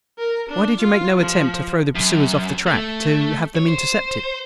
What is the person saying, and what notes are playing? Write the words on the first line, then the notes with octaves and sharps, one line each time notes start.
"Why did you make no attempt to throw the pursuers off the track, to have them intercepted?"
A#4
D4
F4
F3
F#2
A3
C#5
C5